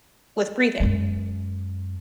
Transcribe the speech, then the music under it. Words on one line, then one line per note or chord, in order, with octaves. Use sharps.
with breathing.
F#2 G#3